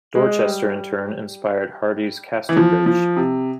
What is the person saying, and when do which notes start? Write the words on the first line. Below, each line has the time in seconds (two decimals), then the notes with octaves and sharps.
Dorchester, in turn, inspired Hardy's Casterbridge.
0.15 G#3
0.45 G3
2.49 E3
2.57 F3
2.86 F3
3.17 C3